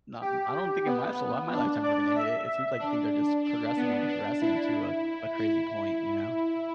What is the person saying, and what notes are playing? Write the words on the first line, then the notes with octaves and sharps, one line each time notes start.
not I don't think in my my lifetime we're gonna hit it, it seems like things are just progressing and progressing to a to a crazy point, you know?
G4
B3
D4
D5
E5
D4
D4
B3
D4
E4
E4